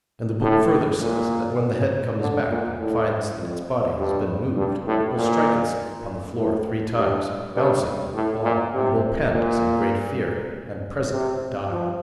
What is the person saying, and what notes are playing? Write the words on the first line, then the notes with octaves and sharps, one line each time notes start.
And the book further says that when the head comes back and finds that its body has been moved, it will strike itself upon the floor three times,--bounding like a ball,--and will pant as in great fear, and presently die.
A2
A#2
D3
A#2
A2
F2
G2
G2
A2
A#2
A2
G2
G2
A2
A#2
C3
A#2
C3
F3